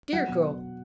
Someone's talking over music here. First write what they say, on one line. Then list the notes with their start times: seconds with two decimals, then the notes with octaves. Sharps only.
Dear girl!
0.13 F#3 F#5
0.29 B2